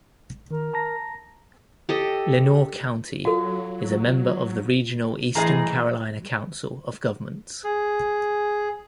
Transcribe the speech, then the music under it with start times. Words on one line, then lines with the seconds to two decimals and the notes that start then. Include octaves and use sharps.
Lenoir County is a member of the regional Eastern Carolina Council of Governments.
0.51 D#3 A#4
0.73 A5 A#5 A#6
1.89 G4 A4 D#5
3.25 F#3 F4 F#4 A4
5.35 A2 E3 G#4 D#5 A#5
7.64 G#4